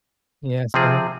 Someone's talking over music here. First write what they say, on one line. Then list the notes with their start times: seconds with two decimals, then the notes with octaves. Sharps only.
Yeah, so
0.74 C3 F3 C4 F4 G#4